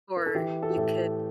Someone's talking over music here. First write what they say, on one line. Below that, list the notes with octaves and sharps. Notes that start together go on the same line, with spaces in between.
Or you could
A#4
A4
E3 G4
A4
G4
A2 A4